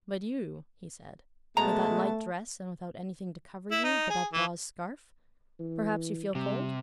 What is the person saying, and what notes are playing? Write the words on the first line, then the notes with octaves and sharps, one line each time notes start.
"But you," he said, "with that light dress, and without anything to cover you but that gauze scarf, perhaps you feel cold?"
B2 G#3 A3 B3 A5 A#5
E4
D#4
G#4
E3
E3
C3 G3